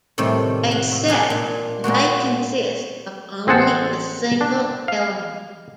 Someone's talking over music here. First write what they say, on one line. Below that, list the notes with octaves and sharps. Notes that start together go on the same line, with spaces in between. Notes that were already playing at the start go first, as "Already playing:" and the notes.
A set may consist of only a single element.
A2 C3 D#3 G3 A3
F#5
A2
D4 G#4 F5
A#2
A#2 G#3 A#3 F#4
A1 C4 G#4 C5 F#5 A5
D4
F5